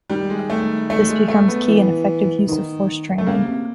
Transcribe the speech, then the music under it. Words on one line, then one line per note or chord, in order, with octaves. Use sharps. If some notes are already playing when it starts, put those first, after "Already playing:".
This becomes key in effective use-of-force training.
D#3 G3
G#3
A3
A3
G#3
A3
B3
E3
D#3
A3
C#3 A#3
C3